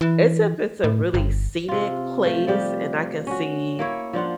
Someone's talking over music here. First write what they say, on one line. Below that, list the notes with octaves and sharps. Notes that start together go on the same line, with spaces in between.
it's if it's a really scenic place and I can see
E3
A2
G1
C3 F4
F3 A3
F3 G3 G4
C#4 F#4
A#3 E4 C#5
F3 D4 F4 F#5